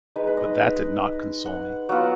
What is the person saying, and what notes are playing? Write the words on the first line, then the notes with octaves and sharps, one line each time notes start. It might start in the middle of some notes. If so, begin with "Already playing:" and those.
But that did not console me.
G#3 D#4 B4
B4
D#5
F#5
F#3 B3 F4